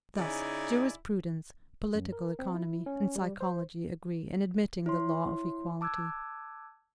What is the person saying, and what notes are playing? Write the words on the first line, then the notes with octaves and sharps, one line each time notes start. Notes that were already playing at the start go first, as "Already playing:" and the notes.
Thus, jurisprudence, political economy, and psychology agree in admitting the law of equality.
C#3 D#4 E4 D5 G#5
F#2
A#4
C4
E4
C#4
G3
C5
E4 C#5 C6
A5 D6 E6 F#6 G#6